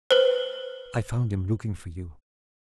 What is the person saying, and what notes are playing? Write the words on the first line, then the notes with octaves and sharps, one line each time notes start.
I found him looking for you.
B4 C5